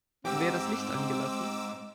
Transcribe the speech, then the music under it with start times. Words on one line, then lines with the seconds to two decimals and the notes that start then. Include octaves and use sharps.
Wer das Licht angelassen?
0.25 F2 G#2 C4 G4 D6 E6